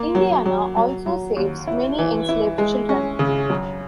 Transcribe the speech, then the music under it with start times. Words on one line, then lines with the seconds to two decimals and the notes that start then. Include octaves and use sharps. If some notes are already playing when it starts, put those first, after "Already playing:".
Indiana also saves many enslaved children.
Already playing: A#3
0.15 F#3
0.46 F#3
0.77 F#3
1.06 F#3
1.36 D#2
1.67 E4
1.98 E3
2.29 E4
2.58 G#3
2.89 C#4
3.19 C#3
3.50 F#2